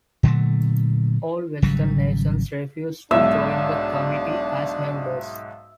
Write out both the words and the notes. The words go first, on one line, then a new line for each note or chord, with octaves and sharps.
All Western nations refused to join the committee as members.
A#2 D3 F#3 A3
G#1 C#3 F#3 G3
B1 G#2 D4 E5